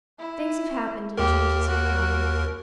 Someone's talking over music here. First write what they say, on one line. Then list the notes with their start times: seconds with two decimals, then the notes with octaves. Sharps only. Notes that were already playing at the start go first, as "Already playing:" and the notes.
Things have happened, and changes have come.
0.19 E4
1.18 D#2 G4 A#4
1.69 F#4